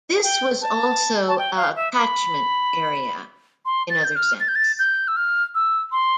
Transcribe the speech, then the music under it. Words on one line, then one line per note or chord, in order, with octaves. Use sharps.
This was also a 'catchment area' in another sense.
G5
A5
A5
G5
F5
E5
B5
C6
A6
G6
F6
A6
G6
A6
G6
E6
F6
E6
C6